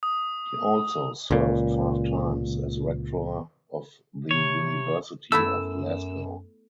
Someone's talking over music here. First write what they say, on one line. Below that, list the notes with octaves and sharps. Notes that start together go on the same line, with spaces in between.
He also served five times as Rector of the University of Glasgow.
D#6
C#2 A#2
C3 C#5
F#2 A3 B3 E4 E6